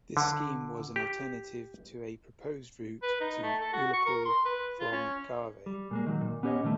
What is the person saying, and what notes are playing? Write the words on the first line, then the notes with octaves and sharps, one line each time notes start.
This scheme was as an alternative to a proposed route to Ullapool from Garve.
D3
G4
B4
D#4
A3
A4
F#4
C#6
A#4
C6
B4
F4
C#4
G3
A#2 G#3 A#3
D#3 F#3
A#2
B3 C#4 G4 B4 C#5 D#5
A#2 D#3 G3 A3